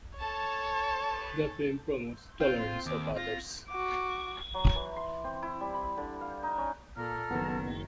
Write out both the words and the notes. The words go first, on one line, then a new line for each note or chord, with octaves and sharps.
The film promotes tolerance of others.
A4 C#5 A5
C4 F4 G5
C6
D#2 D6
F4 A#6
F#4 D6
F#3
E3
C6
C4
E4
G3
B5
D3
F5
D#4
C#4
A#2 A#3 A4 A#5 F6
F#1 D#3 B3